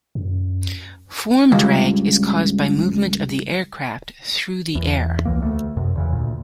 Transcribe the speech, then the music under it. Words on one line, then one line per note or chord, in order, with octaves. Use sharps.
Form drag is caused by movement of the aircraft through the air.
F#2
C#2 G2
E2
C#2 E3 A#3
D2 A3
F#2 C3
E2 C#3 E3
D2 A#2